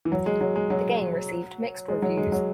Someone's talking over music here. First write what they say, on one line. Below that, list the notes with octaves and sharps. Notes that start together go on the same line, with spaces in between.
The game received mixed reviews.
E3
F#3
G#3
F#3
G#3
F#3
G#3
F#3
G#3
F#3